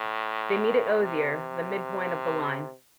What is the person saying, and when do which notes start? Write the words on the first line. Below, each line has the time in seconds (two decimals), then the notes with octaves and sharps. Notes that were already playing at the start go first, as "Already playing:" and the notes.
They meet at Osier, the midpoint of the line.
Already playing: A2
1.03 C3